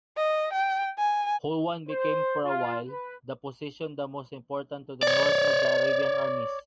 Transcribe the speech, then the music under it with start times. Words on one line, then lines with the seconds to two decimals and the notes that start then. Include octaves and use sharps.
Hulwân became for a while, the position the most important to the north of the Arabian Armies.
0.17 D#5
0.53 G5
0.98 G#5
1.89 C5
2.44 F4
2.87 B4
5.03 C#5 D5